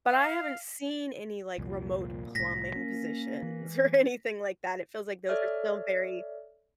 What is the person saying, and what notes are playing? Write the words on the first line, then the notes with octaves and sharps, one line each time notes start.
But I haven't seen any, like, remote plumbing positions or anything like that, it feels like those are still very
F5
C2 F2 A#2 F4
C2 A2 A#6 B6
A#3 C#4
E3
A4 C#5 D5 E5 F6